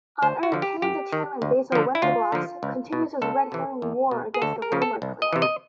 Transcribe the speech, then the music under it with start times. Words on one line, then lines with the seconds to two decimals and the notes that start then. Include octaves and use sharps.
On Earth, Hansa Chairman Basil Wenceslas continues his red-herring war against the Roamer clans.
0.22 D2 C5
0.43 F#4
0.52 D3 F3
0.62 G4
0.82 F#2 G4
1.13 D#3
1.42 D2
1.72 D3 F3
1.95 E4
2.02 D2 F4
2.32 D3 F3
2.63 C#2
2.93 B2
3.22 C#2 A4
3.52 C3 E3
3.82 E2
4.11 B2
4.34 G#4
4.42 D2 A4
4.62 A#4
4.72 C#3 F3
4.82 A4
5.02 C2
5.22 D#5
5.33 C3 E3
5.42 D#5